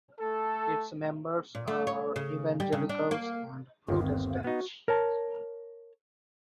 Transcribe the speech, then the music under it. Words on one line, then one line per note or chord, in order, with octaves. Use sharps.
Its members are Evangelicals and Protestants.
A3 A4
A#2
A3
C#5
C#3
G3
C#3
D4
A#3
G1 D#2 D#3 F4
C4
B3 D#4 F#4
A#4 C#5 A5